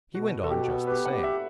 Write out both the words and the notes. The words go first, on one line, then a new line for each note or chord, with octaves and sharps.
He went on just the same.
B2 F#4
B2 A4
G4
B3
G4 B4
F#5
G4
E5